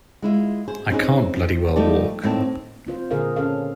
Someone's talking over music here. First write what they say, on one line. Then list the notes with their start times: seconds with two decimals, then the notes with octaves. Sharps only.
I can't bloody well walk.
0.22 G#3 E4 F4
0.68 G#4 C5
0.90 C4 C#4 D#4 F4 G#4 B4
1.34 F3
1.76 F3 G3 A3 D#4 A4 D5
2.22 D#2 A2 C4 A#4 A5
2.87 C4 F4 C5
3.11 A#2 D3 G#4 A#4 F5
3.36 C#4 A4 F5